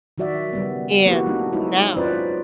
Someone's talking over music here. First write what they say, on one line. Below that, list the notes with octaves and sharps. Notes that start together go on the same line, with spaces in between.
and now,
D#3 F#3 F#4 D5 E5
C#3 G3 B3
A#3 B3 E4 F#4 G4 B4
F#3 A3 D4 D#4
F#3 G#3 D#4 E4 F#4
C#4 F4 B4 C5 D5